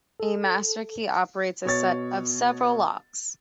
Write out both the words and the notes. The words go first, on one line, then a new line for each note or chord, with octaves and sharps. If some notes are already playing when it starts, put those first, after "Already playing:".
A master key operates a set of several locks.
A4
B2 C#5 A6